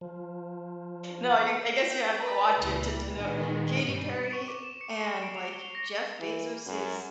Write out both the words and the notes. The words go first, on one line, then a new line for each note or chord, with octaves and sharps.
No, I I guess you have to watch it to to know Katy Perry and, like, Jeff Bezos',
F3
G5 G6
A#4 B4 D5 A#5 B5
C#2 A#2 E3 G3
A#2 D#3 G#3 B3 G#4
G2 B2 G3
C#6
D6
E7
C#7
C7
D7
F7
G7
A#6
E3
F#2